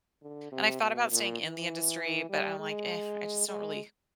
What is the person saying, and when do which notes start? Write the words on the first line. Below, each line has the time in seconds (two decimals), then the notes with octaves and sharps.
And I thought about staying in the industry, but I'm like, "Eh, I just don't really
0.22 D3
0.52 C3
0.82 B2
1.11 A#2
1.42 E3
2.30 G3
2.59 G#3
3.48 G#3